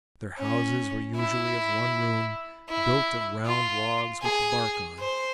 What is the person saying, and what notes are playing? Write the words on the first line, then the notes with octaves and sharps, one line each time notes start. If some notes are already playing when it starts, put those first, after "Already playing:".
Their houses were usually of one room, built of round logs with the bark on.
C#4
E4
E4
F4
G#4
C5